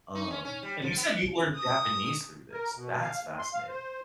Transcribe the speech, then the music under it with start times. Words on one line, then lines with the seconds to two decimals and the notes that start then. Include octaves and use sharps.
Um, and you said you learned Japanese through this, that's fascinating,
0.15 D#4
0.31 C#4
0.45 C#4
0.63 G3
0.82 F3
0.97 B3
1.56 D#6
2.52 A#4
2.75 B2
3.01 F5
3.23 D#2
3.38 C6
3.53 F5
3.68 C5